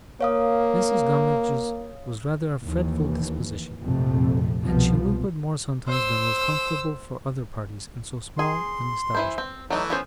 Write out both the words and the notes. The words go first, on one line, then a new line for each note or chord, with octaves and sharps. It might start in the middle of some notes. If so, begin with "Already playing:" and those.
Mrs. Gummidge's was rather a fretful disposition, and she whimpered more sometimes than was comfortable for other parties in so small an establishment.
A#3 C#5 F5 D#6
D#2 E3
A#1 F2 C3 A3
C2 B2 F3 B3
C5 E6
G#4 C6
E3 E4 C5
C4
E3 F#3 A3 D#4
B3 C#4 C5